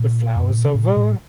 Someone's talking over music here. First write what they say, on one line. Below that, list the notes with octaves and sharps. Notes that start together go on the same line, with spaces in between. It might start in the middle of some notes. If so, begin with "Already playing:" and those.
The flowers of var.
Already playing: A#2
F2
G2
A2
A#2
C#3
A2
A#2
A#2
A2